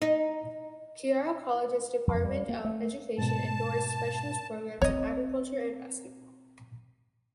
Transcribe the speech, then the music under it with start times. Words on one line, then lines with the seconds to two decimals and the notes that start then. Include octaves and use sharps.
Kiara College has Department of Education endorsed specialist programs in agriculture and basketball.
0.02 D#4
2.07 F2
2.25 G3
2.49 A#3
2.65 A3
3.18 G#2 B2 A5
4.82 C4 C#5 D#5